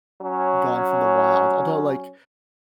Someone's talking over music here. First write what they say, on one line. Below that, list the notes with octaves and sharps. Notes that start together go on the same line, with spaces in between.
gone from the wild, although, like,
F#3 C#4